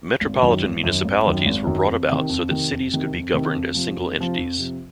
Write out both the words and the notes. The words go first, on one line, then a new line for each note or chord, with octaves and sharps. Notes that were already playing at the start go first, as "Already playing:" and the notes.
Metropolitan municipalities were brought about so that cities could be governed as single entities.
G#1
F#2 D#3 F#3
G#1
F#2 D#3 F#3
G#1
F#2 D#3 F#3
G#1
F#2 D#3 F#3
F2
C3 D#3
F2
C3 D#3
F2
C3 D#3
F2
C3 D#3
F2
C3 F3
F2
C3 F3
F2
C3 F3